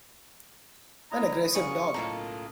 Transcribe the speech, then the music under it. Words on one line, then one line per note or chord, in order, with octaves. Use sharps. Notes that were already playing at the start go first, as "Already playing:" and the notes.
An aggressive dog.
E4 D#5 A#5
C#3 F#3 B3 G#4 A#4 F5 C#6
B1 A2 A#3 F4 A4 A#5